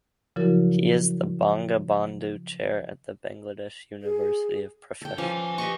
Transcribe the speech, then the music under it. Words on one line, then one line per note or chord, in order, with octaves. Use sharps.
He is the Bangabandhu Chair at the Bangladesh University of Professionals.
C#3 F3 F#3 E4 F#4 A#4
G#4
A4 G5
F3 C#4 B4 G#5 A5
G4 D#5 C#6